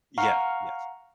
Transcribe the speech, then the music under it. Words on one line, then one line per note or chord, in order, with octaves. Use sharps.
Yeah. Yes.
F5 F#5 A#5 C#6 F6